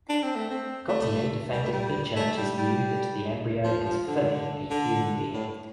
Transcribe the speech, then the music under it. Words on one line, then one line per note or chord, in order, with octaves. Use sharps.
Cottier defended the Church's view that the embryo is fully a human being.
D4
C4
A3
C4
A3
G3
A3
G3
A3
G3
G3
F3
F3
D3
D3
A2